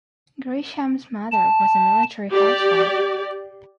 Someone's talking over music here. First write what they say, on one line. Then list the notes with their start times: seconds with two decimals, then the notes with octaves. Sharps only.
Grisham's mother was a military housewife.
1.31 A5
2.33 G4 D5